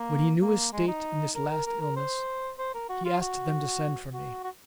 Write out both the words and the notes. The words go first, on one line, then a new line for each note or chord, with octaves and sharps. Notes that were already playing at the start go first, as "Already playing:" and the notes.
When he knew his state in this last illness, he asked them to send for me.
Already playing: A#3
A#3
G#3
D#4
A#4
A#4
A#4
A#4
C5
C5
A#4
F#4
F4
F#4
F#4
F#4